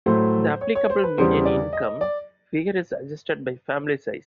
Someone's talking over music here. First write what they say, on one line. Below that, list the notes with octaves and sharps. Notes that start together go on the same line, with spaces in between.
The applicable median income figure is adjusted by family size.
A2 F#3 A3 C5
C#5
C#5
C5
B4
E2 C#3 E3 G3 C5
D5
D#5
D5